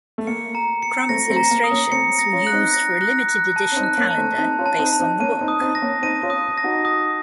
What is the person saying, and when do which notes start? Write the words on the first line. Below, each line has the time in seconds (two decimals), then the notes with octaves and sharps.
Crumb's illustrations were used for a limited-edition calendar based on the book.
0.18 A3
0.27 A#3 C#7
0.55 A#5
0.83 C#7
1.09 A3 C4 A#6
1.30 A3 C4
1.37 A#5
1.51 A#3
1.64 D#6
1.71 A#3 C#4
1.92 A3 C4 C#7
2.19 A#6
2.33 C#4 F4
2.47 F#6
2.53 C4 D#4
2.74 A#6
3.01 F#6
3.29 F#6
3.56 A5
3.72 C#4
3.76 C4 D#4
3.83 F#6
3.98 A#3 C#4
4.11 A5
4.17 A3 C4
4.38 C4 D#4 A5
4.59 C#4 F4
4.66 A5
4.79 C4 D#4
4.93 A5
5.00 C4 D#4
5.20 A#3 C#4 D#7
5.41 C4 D#4
5.48 D#6
5.61 C4 D#4
5.75 A#6
5.82 A#3 C#4
6.02 C4 D#4 D#7
6.23 C#4 F4
6.30 D#6
6.58 A#6
6.64 D#4 F#4
6.85 D#6